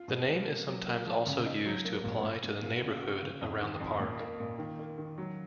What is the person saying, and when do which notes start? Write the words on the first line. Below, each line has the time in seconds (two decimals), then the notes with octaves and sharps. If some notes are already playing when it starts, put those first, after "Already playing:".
The name is sometimes also used to apply to the neighbourhood around the park.
Already playing: F4
0.08 B2
0.28 G#3
0.48 A#3
0.67 F#3
0.87 A#3
1.06 F3
1.27 C#3
1.46 D#4
1.65 F#3
1.85 A#3
2.04 A#2
2.23 A#2
2.43 A#2
2.63 A#2
2.82 C#3
3.02 F#4
3.23 C#3
3.41 F2
3.61 D#3
3.80 F2
4.00 A#2
4.20 A#3
4.40 A#2
4.58 D#3
4.79 A#3
4.98 D#3
5.18 F#3